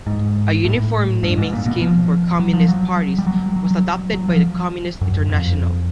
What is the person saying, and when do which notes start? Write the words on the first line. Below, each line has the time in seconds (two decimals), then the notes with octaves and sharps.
A uniform naming scheme for Communist parties was adopted by the Communist International.
0.07 G#2
0.65 A2
1.23 G2
1.38 G#2
1.53 A#2
1.66 B2
1.82 F3
2.40 F#3
2.53 F3
2.68 F#3
3.18 G3
3.27 F#3
3.56 F#3
3.71 F#3
4.14 F#3
4.28 F3
5.01 F#2
5.29 F2